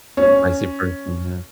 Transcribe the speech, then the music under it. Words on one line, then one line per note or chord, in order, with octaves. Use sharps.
spicy person. Yeah.
C#4